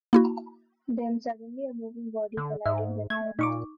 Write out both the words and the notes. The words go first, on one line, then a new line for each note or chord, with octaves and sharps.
Then suddenly a moving body collided with him.
A#3 E4 F#4
D3
G#2 E5
A3 G#6
A#2 D#4 C#6 D6